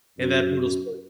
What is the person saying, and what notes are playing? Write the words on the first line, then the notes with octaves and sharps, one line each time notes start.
in that brutal sport
F#2